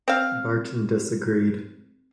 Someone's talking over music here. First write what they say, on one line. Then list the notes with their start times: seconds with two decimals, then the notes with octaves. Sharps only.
Barton disagreed.
0.08 C4 F5